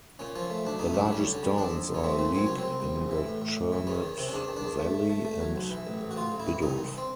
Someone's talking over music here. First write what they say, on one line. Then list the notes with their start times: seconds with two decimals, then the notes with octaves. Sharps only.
The largest towns are Leek in the Churnet valley and Biddulph.
0.19 A#2 C#4
0.35 F3 C#4
0.50 A3
0.65 B1 D4
0.79 A3 D#4
0.94 B1 D4
1.05 D4
1.11 G3 C#4
1.27 D3
1.35 C#4
1.43 G3
1.58 F2 D4
1.73 F2
1.88 F2
1.94 C#4
2.04 A3 C4
2.19 A#2 C4
2.35 F#3 C4
2.46 C2 C#4
2.59 C4
2.65 C2
2.80 C2
2.96 A#1
3.11 E3
3.26 A2
3.42 A2
3.57 A2
3.72 E3
3.87 E2 C#4
4.02 D#3
4.18 C3
4.28 C#4
4.33 E2 D4
4.48 D#3
4.56 D4
4.64 E2
4.79 A3
4.94 A3
5.10 A3
5.25 A3
5.40 F#3
5.56 B1
5.71 E3
5.87 A1
6.01 A1
6.11 F#4
6.17 A1 F4
6.32 A1
6.40 E4
6.48 G2
6.62 C2 D#4
6.78 C2
6.98 C4